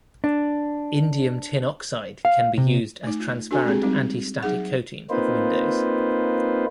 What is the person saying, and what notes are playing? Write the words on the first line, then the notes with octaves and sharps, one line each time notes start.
Indium tin oxide can be used as transparent antistatic coating of windows.
D4
F5
C3
A3 D#4
F4
D4 F#4 A4 G#5
G#3 C4 G4 G#4
G3 C4 D#4
F#3 D#4 G#4 F#5
A#3 C4 D#4 F4 B4 C5